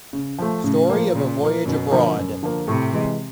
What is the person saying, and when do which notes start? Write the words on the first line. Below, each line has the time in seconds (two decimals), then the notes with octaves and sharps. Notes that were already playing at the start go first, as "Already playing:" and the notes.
Story of a voyage abroad.
0.13 C#3
0.38 F3 A3
0.64 A2 C#3
0.90 F3 A#3
1.15 A#2 C#3
1.40 F3 A#3
1.65 F#2 B2
1.91 D3 F3 A#3
2.17 F#2
2.43 D3 F3 A#3
2.68 A2 C3
2.93 E3 G#3